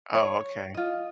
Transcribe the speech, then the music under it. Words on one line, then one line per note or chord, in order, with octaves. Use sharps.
Oh, okay.
C#5
F4 D#5